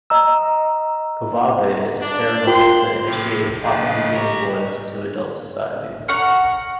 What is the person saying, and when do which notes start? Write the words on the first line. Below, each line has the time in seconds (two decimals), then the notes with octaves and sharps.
Kovave is a ceremony to initiate Papua New Guinea boys into adult society.
0.10 D#5 A#5 E6
2.01 D4
2.47 F4 A#4 G5 C6
3.05 A2 C3 F3
3.63 C#3 F3 D4 D#5
4.14 F#4 G4 A#5
6.08 F#5 A#5 C#6 F6